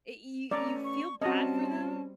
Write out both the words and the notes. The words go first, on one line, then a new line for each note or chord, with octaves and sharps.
y y you feel bad for them,
A3 C#4 D5 A#5
C#6
G3 C4 C#4 F#4 D#5 A5